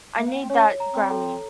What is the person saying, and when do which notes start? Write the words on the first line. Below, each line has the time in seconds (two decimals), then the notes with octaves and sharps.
I need that Grammy.
0.17 A3
0.26 A#3
0.34 B3
0.42 C4
0.50 C#4 C#5
0.80 A#5
0.94 C4
1.10 A4